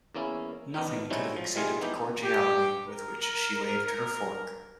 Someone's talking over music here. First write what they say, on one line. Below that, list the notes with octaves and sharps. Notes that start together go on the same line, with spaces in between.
Nothing could have exceeded the cordiality with which she waved her fork.
E2 A#3 C#4 E4
B3 D4 D#4
F#3 G3 C4 C#4 D#4 E4
F3
C3 D#3 G3 F4 G#4
E3 B3 D#4 E4 G4
G4
A#4